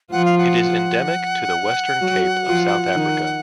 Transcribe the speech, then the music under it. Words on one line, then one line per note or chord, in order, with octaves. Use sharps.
It is endemic to the Western Cape of South Africa.
F3 F4 F#5
F5
F#5
F#3 F#4
F3 F4
D#3 D#4